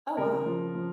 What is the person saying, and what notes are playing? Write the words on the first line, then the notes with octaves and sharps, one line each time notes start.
Oh, wow.
C#3 A#4
F3
F3